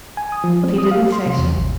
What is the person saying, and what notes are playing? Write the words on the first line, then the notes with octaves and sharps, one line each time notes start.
But he didn't say so.
G#5
D#6
F3
C4
D#6
F5
C6
C3
E2
A1